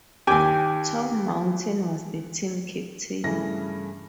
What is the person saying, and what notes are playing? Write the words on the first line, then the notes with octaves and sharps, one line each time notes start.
Tom Mountain was the team captain.
D#2 G4 G#5
G2 C#3 E3 A3 A#6